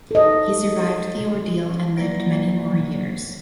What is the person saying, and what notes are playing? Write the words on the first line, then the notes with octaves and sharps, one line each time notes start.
He survived the ordeal and lived many more years.
A4 D#5
F#3 A#3 D5